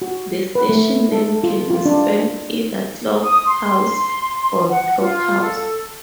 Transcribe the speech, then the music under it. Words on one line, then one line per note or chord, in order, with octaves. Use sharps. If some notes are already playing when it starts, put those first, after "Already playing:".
The station name can be spelt either Clock House or Clockhouse.
F#4
B4
A3
A4
F4
F4
D4
D#6
C6
F#5
F4
A4